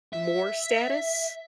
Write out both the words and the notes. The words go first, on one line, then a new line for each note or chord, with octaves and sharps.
more status.
E5